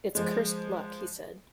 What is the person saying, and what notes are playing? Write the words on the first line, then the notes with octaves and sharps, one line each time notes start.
"It's cursed luck," he said.
F3 G#3